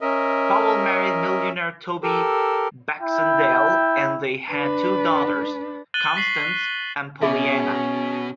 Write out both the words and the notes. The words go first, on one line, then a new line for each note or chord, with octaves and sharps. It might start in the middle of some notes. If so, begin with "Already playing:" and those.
Powell married millionaire Toby Baxendale and they had two daughters, Constance and Pollyanna.
C#4 A#4 D#5 E5
G4 A4 A#4 E6
E4 G5
D4 B4
F#6 A6 D#7 F#7 G7
C#6 B6 C7 F#7
B2 C#4 G#4 E5